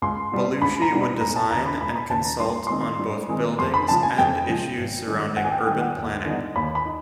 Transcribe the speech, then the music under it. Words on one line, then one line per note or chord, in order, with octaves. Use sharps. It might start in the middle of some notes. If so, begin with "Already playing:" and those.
Belluschi would design and consult on both buildings and issues surrounding urban planning.
C#2 C6
B2 G3 B3
C#2 B5
A#5
B2 G3 B3
B5
E1 A#5
A5
D#2 C#3 A#5
B5
E1 B5
A#5
B5
D#2 C#3 A5
A#5
G2 C6
D#3 G#3 C4 D#4 C6
G2
D#3 G#3 C4 D#4
F2 C6
B5
C#3 F3 G#3 A5
G#5
F2 G5
C#3 F3 G#3
G#1
G2 D#3 G#3
G#1 F#5
G#5
G5
G2 D#3 G#3 G5
F#5
D#2
D3 G3 B3 D#4
D#2 B5
B5
D#4